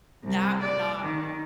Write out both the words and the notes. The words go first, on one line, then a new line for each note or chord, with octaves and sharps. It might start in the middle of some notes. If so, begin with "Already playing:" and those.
That would not
C2
D5
D#3